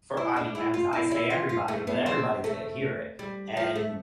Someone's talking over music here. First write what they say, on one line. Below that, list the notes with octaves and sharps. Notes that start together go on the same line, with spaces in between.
for, I mean, I'm I say everybody, but everybody's gonna hear it, and
E4
D4
E4
F4
E4
E4
F4
F4
A3
B3
C4
A3
G3
F3
A3